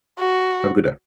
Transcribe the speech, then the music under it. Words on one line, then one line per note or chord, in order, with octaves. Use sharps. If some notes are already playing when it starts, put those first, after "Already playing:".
Have a good day.
F#4